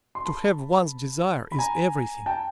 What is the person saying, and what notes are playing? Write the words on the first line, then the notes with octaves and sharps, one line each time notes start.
To have one's desire is everything.
C6
A5 B5
B5
G#5 A#5
G5 A5